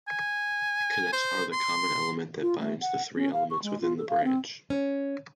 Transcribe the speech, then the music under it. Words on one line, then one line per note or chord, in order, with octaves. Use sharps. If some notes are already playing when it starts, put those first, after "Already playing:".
Cadets are the common element that binds the three elements within the Branch.
G#5
C5
C6
F4
A3
F#5
C#4
F5
C#6
G#3
F4
A4
F5
C4
C#4